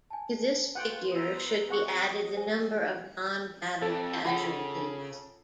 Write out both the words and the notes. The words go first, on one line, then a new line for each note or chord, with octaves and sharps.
To this figure should be added the number of nonbattle casualties.
G#5 A5
A3 F4 B4 F#5 G5
B3 C5 A#5 D#6 E6
C4 G#4 F#5 C#6
F#3 D#5 D#6
C5 G#5
F2 A4
C#3 F4 F#5 G5